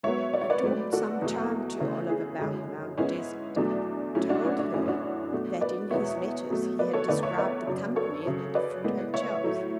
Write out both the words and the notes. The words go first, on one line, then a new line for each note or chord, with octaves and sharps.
He talked some time to Olive about Mount Desert, told her that in his letters he had described the company at the different hotels.
G#2 F#3 B3 C#5 E5
D5
C#5
B4 D5
G#2 F#3 A3
F#4 A4
E2 B2 F#3 A3
C#3 E3 A3
E4 G#4
F#2 D3 G#3
G#2 G#3 B3 C#4 E4
E2 B2 F#3 A3 D4
A2 F#3 A3 C#4 E4
D4 F#4
C#4 E4
D4
F#2 E3 A3 C#4 E4
D4 F#4
B2 A3
B4 D5
E2 B2 G#3 B3 C#5 E5
B2 F#3 A3
B4 D5
A4 C#5
E2 D3 A3 B4 D5
C#5 E5
B4 D5
F#2 C#3 F#3
A4 C#5
F#2 C#3 F#3
B4 D5
A2 G#3 B3
C#5 E5
A2 F#3 A3